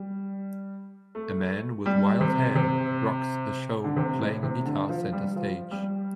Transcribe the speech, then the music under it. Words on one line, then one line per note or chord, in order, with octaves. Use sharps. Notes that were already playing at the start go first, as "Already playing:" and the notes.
A man with wild hair rocks a show playing a guitar center stage.
Already playing: G3
A3
G3
C3
C3
D3
C3
A2
C3
D3
F3
G3
F3
G3